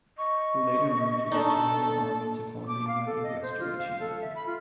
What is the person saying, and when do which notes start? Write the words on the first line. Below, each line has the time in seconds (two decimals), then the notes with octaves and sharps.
It later merged with the Chilean Army to form the United Restoration Army.
0.18 D#5 C#6
1.32 D4 D#4 A4
2.67 D6
2.88 F5
3.06 A4
3.23 D#5
3.43 C5
3.60 F4
3.78 F5
4.00 A4
4.21 E5
4.35 B5
4.47 F4